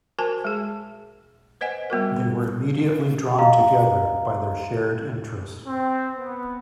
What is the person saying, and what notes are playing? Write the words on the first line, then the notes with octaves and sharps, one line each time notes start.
They were immediately drawn together by their shared interests.
F#4 A#4 C5 G#5 A5
G#3 G#4
B4 C5 D#5 F#5 G#5
G3 B3 F#4 A#4
D#5 F5 A#5
C4
B3